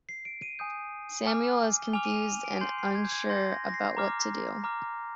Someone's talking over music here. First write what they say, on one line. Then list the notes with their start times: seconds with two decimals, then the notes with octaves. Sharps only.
Samuel is confused and unsure about what to do.
0.09 C7
0.25 D7
0.42 D#7
0.59 G#5 D#6 G6
1.26 G#5 D6 F6
1.83 G7
1.93 G#5 D6 F6 F7
2.05 D#7
2.10 F7
2.44 D7
2.61 C6 G6 C7
2.78 C7
2.95 G#6
3.05 G6
3.12 G#6
3.29 C6 G6 A#6
3.52 A#6
3.69 A#6
3.74 C7
3.97 A#5 D6 F6
4.64 A#5 D6 F6